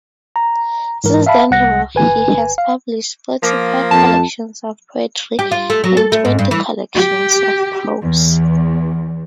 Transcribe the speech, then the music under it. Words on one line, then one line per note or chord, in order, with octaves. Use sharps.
Since then he has published forty-five collections of poetry and twenty collections of prose.
A#5
G#2 E3 A#4
E5 F5 A5 B5
C2 F#5 A#6
G1 B4 G#5
F5
F3 A#3
F2 A5
G4
F4
A3
F#3
A4
A3
G#2
G2
E3
G4
E2